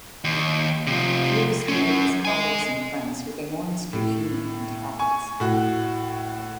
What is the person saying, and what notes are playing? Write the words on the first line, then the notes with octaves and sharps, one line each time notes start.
Lewis treated his colleagues and friends with enormous good humor and tolerance.
D#2
C3 F3
F#3 C#4
D#5 G#5
A2
G#5 C#6
A2 F#4